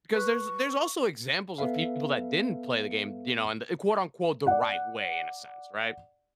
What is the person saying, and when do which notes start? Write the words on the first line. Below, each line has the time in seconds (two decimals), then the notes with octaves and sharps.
'cause there's there's also examples of people that didn't play the game, you know, in the quote, unquote "the right way" in a sense, right?
0.14 B4 C#6
1.58 B3 A4 B4 E5 F5
4.47 D5 F#5